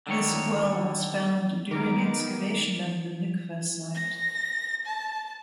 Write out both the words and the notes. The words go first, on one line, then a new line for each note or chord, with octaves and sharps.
This well was found during excavation of the mikvah site.
D3 D#3 C#5
D#3 B3 D#4 A#4 D6
A#6
A5